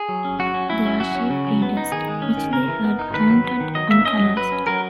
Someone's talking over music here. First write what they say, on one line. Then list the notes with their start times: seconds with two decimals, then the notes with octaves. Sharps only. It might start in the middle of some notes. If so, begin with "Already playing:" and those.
They are sheep breeders, which they herd mounted on camels.
Already playing: G#4
0.09 F#3
0.25 C#4
0.39 F#3 F#4
0.54 C#4
0.69 F#3 E4
0.86 C#4
1.00 F#3 F#4
1.16 C#4
1.30 C#3
1.47 F#3
1.62 B3
1.77 D#4
1.92 D#3 G#4
2.08 G#3
2.22 C#4
2.37 D#3
2.53 C#3 A#4
2.68 E3
2.84 B3
2.99 D#4
3.14 D#3 B4
3.30 F#3
3.45 B3
3.60 D#3
3.75 F#3 D#5
3.90 A#3 E5
4.05 C#4 D#5
4.21 F#3
4.37 F#3 B4
4.52 C#4
4.67 F#3 A#4